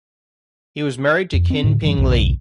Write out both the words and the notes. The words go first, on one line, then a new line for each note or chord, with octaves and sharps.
He was married to Kin Ping Lee.
F2
C4
A2 D3
G2 C#3 E3
B1 E2 G2 C#3